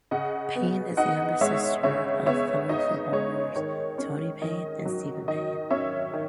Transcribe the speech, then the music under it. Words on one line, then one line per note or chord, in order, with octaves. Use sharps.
Payne is the younger sister of fellow footballers Toni Payne and Stephen Payne.
C#3 D#5 F#5
B3
D#4 D#5 F#5
G#3 C#5 E5
C#3 C#5 E5
B3 C#5 E5
D#4 D#5
G#3 C#5
D#3 C#5
C#4 C#5
D#3 D#5
F#3
D#3 D#5
C#4 C#5 E5
D#3